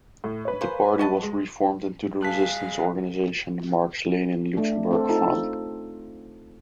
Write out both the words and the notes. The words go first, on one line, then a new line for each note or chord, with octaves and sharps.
The party was reformed into the resistance organization Marx-Lenin-Luxemburg Front.
A2
B4 C#5
C#3 A#3 C5
F#4 D#5 A5
G#3
G3 G#4 F5 A5 F#6 B6
A3 D4
C4 A4 C5
D#4 F4 A4